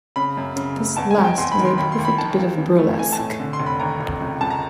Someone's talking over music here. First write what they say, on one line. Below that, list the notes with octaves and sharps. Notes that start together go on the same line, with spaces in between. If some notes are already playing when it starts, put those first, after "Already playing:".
This last is a perfect bit of burlesque.
C#3 B5
F#2
C#3
F#2
E2 A5
G#5
E2
G5
E2 C6
B5
D#3
C6
D#2 B5
C6
D#2
B5
D#3 A5
D#2
E3
A3
E3 G#5
A5
A2
D3
C6
F1
B5
D#2 A#5
F1
C#2
C#2 A5
A#5